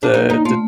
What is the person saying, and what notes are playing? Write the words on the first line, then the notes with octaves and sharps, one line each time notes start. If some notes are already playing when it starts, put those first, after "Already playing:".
the the
D4
A#3 D#4
D#4
A3 F4